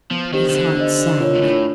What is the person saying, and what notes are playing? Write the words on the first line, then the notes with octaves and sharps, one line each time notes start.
His heart sank.
F3 B3
D#3 D4 G4 C5 D#5
D#3
D3 B3
D4 G4 C5 D#5
D4
F4 A#4 C#5
A#2
A2 D4